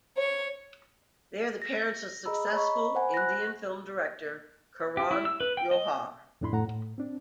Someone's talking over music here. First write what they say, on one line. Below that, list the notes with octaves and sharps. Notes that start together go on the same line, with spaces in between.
They are the parents of successful Indian film director Karan Johar.
C#5
A#6
G#4 D#5 A#5 B5 E6
C#5 D#5 A#5 B5 C#6
C5 F#5 G#5 B5
F#6 A#6
G4
E4
E6
B4
G5
D#5
F2 A2 D4 E4 B5 C6
A2 F#5 A#5
A2
C4 D4